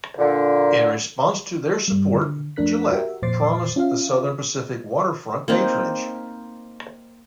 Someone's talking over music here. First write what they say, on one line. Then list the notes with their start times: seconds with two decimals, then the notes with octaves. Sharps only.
In response to their support, Gillett promised the Southern Pacific waterfront patrongage.
0.18 A#2 D3
1.88 G2 G3
2.14 D3
2.56 F2 A3 D4 A#4 F#6 B6
2.92 F#4 G4 A#4 E5
3.22 F2 A#2 C5 D6 A6 C7
3.76 C#4 F4 E5 F5
5.48 A#3 C4 D#4